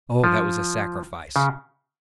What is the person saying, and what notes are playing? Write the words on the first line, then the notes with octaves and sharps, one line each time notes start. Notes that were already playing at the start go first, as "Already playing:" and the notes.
Oh, that was a sacrifice!
F3
C#3